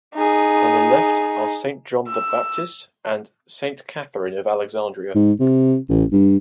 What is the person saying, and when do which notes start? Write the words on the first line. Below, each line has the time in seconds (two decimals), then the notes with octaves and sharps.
On the left are Saint John the Baptist and Saint Catherine of Alexandria.
0.15 D#4 G#4
2.08 E6
5.15 G#2
5.40 C3
5.89 A1
6.12 G2